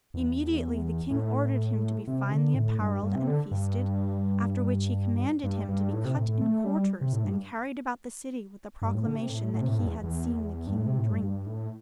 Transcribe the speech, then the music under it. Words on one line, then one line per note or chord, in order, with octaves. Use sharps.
Immediately the king ordered him to be finely apparelled and feasted, after which he commanded him to be cut in quarters, and carried about the city with a proclamation that he had seen the king drink.
E2
A2
C3
D3
A2
G2
G2
C3
D3
G2
G2
G2
A2
C3
A2
A2
A3
G3
C3
A2
G2
G2
A2
D3
C3
A2
A2
C3
A2
G2
E2
E2
G2
A2
C3
A2
G2
G2
A2